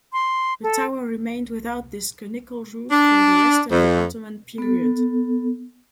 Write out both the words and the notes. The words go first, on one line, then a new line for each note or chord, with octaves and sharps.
The tower remained without this conical roof for the rest of the Ottoman period.
C6
A4
D4
F2
B3 A4